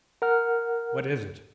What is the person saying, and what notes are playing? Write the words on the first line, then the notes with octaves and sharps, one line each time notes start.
"What is it?"
A#4 F#5 F6